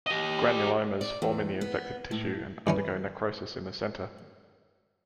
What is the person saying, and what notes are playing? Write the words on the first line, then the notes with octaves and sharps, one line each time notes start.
Granulomas form in the infected tissue and undergo necrosis in the centre.
G4 D#5
D5
E2
B3
A2
G2 E3 C#4